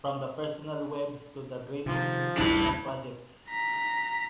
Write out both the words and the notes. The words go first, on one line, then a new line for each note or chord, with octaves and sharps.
From the personal webs to the great institutional projects.
C3 D#3 F3
A1 D#2 G3 D4 E4 B5
A#5 B6